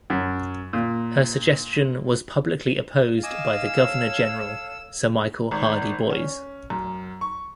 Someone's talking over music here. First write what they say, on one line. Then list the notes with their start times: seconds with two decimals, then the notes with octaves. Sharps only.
Her suggestion was publicly opposed by the Governor-General Sir Michael Hardie Boys.
0.10 F#2
0.73 A#2
3.23 D#5 F5 G#5 D6 E6
3.76 A4 C#5
5.51 G#1
6.10 C#4
6.70 F#2
7.21 C#6